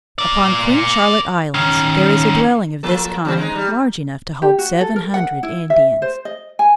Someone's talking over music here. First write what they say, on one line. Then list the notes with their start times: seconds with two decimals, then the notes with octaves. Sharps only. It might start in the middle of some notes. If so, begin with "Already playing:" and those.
Upon Queen Charlotte Islands there is a dwelling of this kind large enough to hold seven hundred Indians.
0.18 A#4 D5
1.54 D#3 C#4
2.83 F3 A#3 A4
3.25 E2 G3 C4
3.37 G#3 C4 D#4
3.55 G3
4.42 G4
4.58 F#4
4.81 A4
4.96 A#4
5.14 F#5
5.43 E4
5.70 E5
6.02 C5
6.25 D#5
6.59 G#5